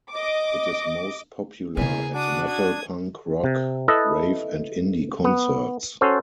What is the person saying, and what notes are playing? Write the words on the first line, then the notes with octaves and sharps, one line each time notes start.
It is most popular at metal, punk, rock, rave and indie concerts.
D#5 D6
E2 C#3 E4 G#4 A#4
D4 F#4 D6 D#6
D#6 G#6
C3
E4 A4 B4 D#5
B3
C#4 F#4 A4 C5